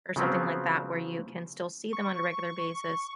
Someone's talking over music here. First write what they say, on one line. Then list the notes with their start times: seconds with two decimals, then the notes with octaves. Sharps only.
or something like that where you can still see them on a regular basis,
0.16 C#3 F3 F#3 B3 C4
1.93 C#6